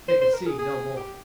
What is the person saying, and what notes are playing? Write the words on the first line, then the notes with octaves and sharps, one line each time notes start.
They could see no more.
C5
C5
A#4
G#4
G#4
G4